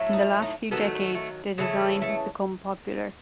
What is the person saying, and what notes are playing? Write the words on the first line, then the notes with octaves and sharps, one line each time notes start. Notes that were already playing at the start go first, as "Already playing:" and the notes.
In the last few decades, the design has become popular.
Already playing: A2 F#3 A3
D#4
D#4
D#3 F#3 A3 B3
A3
C#3 E3 A3 B3
A3